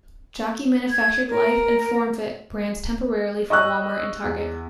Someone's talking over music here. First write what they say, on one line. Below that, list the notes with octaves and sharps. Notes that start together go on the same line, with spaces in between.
Jockey manufactured Life and Formfit brands temporarily for Wal-Mart and Target.
G#6
A#4
D#5 C#6 E6 F#6
E2